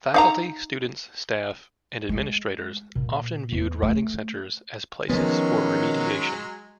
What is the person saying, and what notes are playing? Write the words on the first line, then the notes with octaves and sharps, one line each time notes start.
Faculty, students, staff, and administrators often viewed writing centers as places for remediation.
D#4 F5 A#5
G#3
A#2
E2
A3
D#3 F3 F#3 G#3 B3 C#4